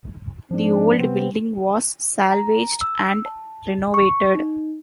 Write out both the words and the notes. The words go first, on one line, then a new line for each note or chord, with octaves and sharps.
The old building was salvaged and renovated.
G#2 F3 C4 D4
C3 B3 C4
A#5
E6
A5
C#6
D#4